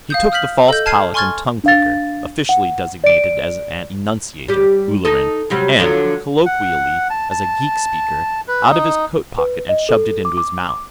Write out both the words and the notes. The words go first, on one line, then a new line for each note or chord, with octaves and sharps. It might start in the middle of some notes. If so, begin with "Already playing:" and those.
He took the false palate and tongue-clicker, officially designated as an "enunciator, Ulleran" and, colloquially, as a geek-speaker, out of his coat pocket and shoved it into his mouth.
F5 D#6 G6
D#6 F6 G6 B6 F#7
A4 D#5 G6
A5 F6 G#6 C7 D#7
G#5 C6 C#6 F6 G#6 A6
D4 F5 A6
F#5
D5 D7
G3 G4
D#4 A4 D#5
C3 F#3 G3
D3 F3 F#3
F#5
A5
A5
B4
D#4
B4
D#5
A4
D6
D6
D6